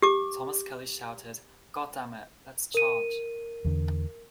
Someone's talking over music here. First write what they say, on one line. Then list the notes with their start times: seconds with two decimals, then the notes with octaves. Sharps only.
Thomas Kelley shouted "God damn it, lets charge".
0.02 G4 D6
2.74 A#4 D#7
3.65 E2 D3